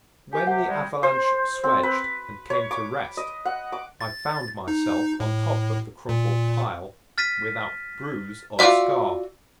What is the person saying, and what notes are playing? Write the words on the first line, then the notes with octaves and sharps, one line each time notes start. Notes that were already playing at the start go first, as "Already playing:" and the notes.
When the avalanche swedged and came to rest I found myself on top of the crumpled pile without bruise or scar.
G4 A#4 G#5
C3 G4 E5 F#5
G3 G#3
C5
C4
B4
C#5
D6
D#5
F#5
D6
A6
D#4
A2
A#2
F6 A6 B6 D#7
F4 F#4 C5 D5 E5